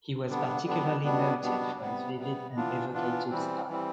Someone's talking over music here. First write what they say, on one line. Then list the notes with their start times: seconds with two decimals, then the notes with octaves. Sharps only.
He was particularly noted for his vivid and evocative style.
0.29 D3 G3 B3 D4
0.66 D3 G3 B3 D4
1.03 B2 G3 B3 D4
1.41 B2 G3 B3 D4
1.80 C3 G3 B3
2.17 C3 G3 B3
2.55 E3 B3 D4 F4
2.92 E3 B3 D4 F4
3.31 E3 G3 C4
3.69 E3 G3 C4